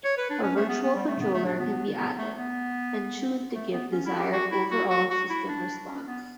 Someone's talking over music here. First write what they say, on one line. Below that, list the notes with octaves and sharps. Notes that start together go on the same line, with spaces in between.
A virtual controller can be added and tuned to give desired overall system response.
C#5
B4
D4
C#4
A3
B3
B3
G3
A3
B3
A3
D4
B3
B3
A3
B3
A3
B3
C#4
E4
G4
F#4
E4
F#4
F#4
F#4
E4
D4
C#4
B3